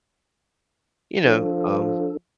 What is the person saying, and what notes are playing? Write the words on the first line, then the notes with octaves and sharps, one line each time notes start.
you know, um
F3 D4 A4